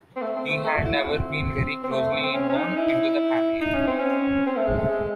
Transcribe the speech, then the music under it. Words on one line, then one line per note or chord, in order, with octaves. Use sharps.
He had never been very closely inbound into the family.
C4
A3
C4
A3
A3
F#4
E4
F#4
C4
C4
A3
C4
C4
C#4
C#4
D#4
E4
D#4
C#4
C4
C#4
C4
A3
G#3
A3
G#3